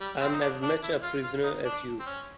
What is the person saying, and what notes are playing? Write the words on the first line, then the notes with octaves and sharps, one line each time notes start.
I'm as much a prisoner as you.
G3
C4
D#4
D4
D4
E4
F4
F4
D#4
D4
C4
C#4